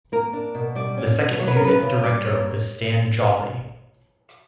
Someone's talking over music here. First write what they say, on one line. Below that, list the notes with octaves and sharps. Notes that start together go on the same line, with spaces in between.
The second unit director was Stan Jolley.
A#3 A#4
D4
B2
G3 D5
C#4
B2
F#3 C#5
B4
A#4
B3 B4
C#3
G3 D5
A#3 C#5